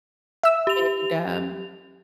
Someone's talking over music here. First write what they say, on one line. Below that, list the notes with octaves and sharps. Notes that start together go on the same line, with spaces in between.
and, um
E5 E6
G4 F7